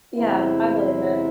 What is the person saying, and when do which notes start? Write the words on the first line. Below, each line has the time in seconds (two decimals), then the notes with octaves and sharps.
Yeah, I believe it.
0.16 E2 C3 G#3 C4 E4